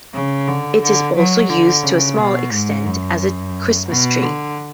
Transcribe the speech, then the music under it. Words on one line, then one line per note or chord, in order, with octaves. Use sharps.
It is also used to a small extent as a Christmas tree.
C#3
D3
D3
F#3
D3
C#3
B2
G#2
F#2
B2
D3